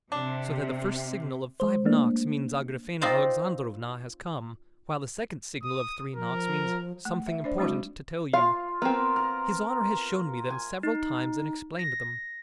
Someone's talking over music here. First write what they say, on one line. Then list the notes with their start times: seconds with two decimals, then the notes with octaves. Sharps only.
So that the first signal of five knocks means Agrafena Alexandrovna has come, while the second signal of three knocks means 'something important to tell you.' His honor has shown me them several times and explained them.
0.12 C3 D4
1.60 G#3 C5
1.85 A3 A#3 D4
3.01 C4 D#4 F4 C5 D5
5.63 D#6
6.15 F3 A#4
7.05 A3
7.27 E5
7.44 D4 C5 D5
7.58 F#3 G#3 C4 D4 E4 F#4
8.33 F4 F5
8.82 B3 C4 A#4
9.16 A#4
10.50 G#5
10.83 D#4
11.79 A#6